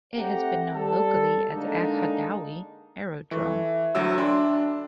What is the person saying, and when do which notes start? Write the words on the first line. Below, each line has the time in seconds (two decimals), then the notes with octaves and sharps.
It has been known locally as Aghadowey Aerodrome.
0.15 A3 C4 G4 F#5 A#5
0.72 G3 A4
1.49 D3 G#3 A#3 D4 D#4
3.31 E3 A3
3.95 D2 F#3 E5 E6
4.18 D4 G5 B5 C6